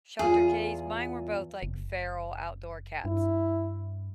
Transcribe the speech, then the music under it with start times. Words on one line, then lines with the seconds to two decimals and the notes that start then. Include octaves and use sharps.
shelter case? Mine were both, like, feral, outdoor cats
0.19 E2 F4 G#4
1.63 F#1
3.05 G2 E4